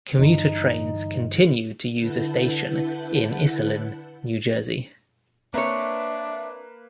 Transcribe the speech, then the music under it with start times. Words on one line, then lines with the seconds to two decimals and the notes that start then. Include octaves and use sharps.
Commuter trains continued to use a station in Iselin, New Jersey.
0.19 G2 D3 E3 D#4
1.97 D3 E4 B4 F#5 A5 G6
5.54 A#3 C4 D4 B4 C#5 E5 A#5